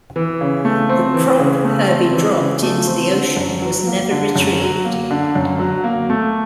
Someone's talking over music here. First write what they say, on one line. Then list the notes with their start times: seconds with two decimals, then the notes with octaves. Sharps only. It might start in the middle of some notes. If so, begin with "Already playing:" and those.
The prop Herbie dropped into the ocean was never retrieved.
0.16 E3
0.41 C#3
0.65 A3
0.89 C4
1.14 E3
1.39 C#3
1.65 A3
1.88 C4
2.13 E3
2.38 C#3
2.63 A3
2.87 C4
3.13 D3
3.37 F#2
3.62 F#3
3.87 A#3
4.11 D3
4.36 F#2
4.60 F#3
4.85 A#3
5.11 D3
5.35 F#2
5.59 F#3
5.84 A#3
6.10 A3